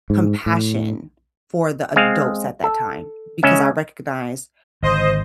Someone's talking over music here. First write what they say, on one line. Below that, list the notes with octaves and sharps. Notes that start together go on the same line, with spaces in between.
compassion for the adults at that time because I recognized,
G#2
A2
G#3 C4 F5
A4
C#3 G#3 C#4 E5
G#1 D3 C5 D#5